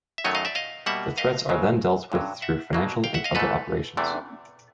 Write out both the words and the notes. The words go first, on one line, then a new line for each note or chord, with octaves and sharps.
The threats are then dealt with through financial and other operations.
E5
F#2 D#3 F#3 A3 C#5 D#5
D#5 F5
D5 E5
D#5 F5
B2 G3 A#3 E5 F#5
D#5 F5
F#2 C#3 F#3
G2 D3 F#3
E5 F#5
B2 F#3 A#3
F5 G5
E5 F#5
D#5 F5
G#2 E3 A3 A4 B4
E2 C3 E3 A3